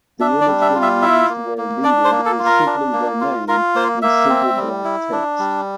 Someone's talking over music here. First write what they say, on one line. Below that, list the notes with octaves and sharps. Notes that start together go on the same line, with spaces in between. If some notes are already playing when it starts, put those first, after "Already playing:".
The image being used where needed is simply their name in simple black text.
D4 E5
D5
G3
E5
F4
E5
E4 E5
A#3
A#3
D4 D5
C5
A#3
A4
F4
A#4
D4
A#3
F4
F4 A#4
A#3 C5
A#3 E5
C4
G3
E4
D4
G3